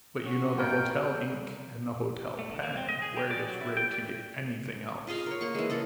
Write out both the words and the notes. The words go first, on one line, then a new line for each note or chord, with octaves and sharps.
But you know the hotel ink and the hotel pen, where it is rare to get anything else.
C#4 F#4
B2 A#3 B3 A#4 G5
A3
D3
A#3
C4
D#5
G#4
G4
D5
F#3
E4
G5
D5
F4 G#4 D#5 F5
A#4 C#5
A#3 C#6
E3 G#3
C#3 E3 A4 D#5